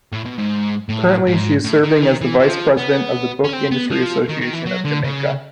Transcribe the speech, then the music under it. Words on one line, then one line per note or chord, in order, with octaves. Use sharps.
Currently, she is serving as the vice-president of the Book Industry Association of Jamaica.
A2
B2
G#2
A2
G#2
A2
D#3
D3
D#3
E3
F3
B3
C#4
C4
B3
F3
D#3
D#3
E3
F#3
D3
C#3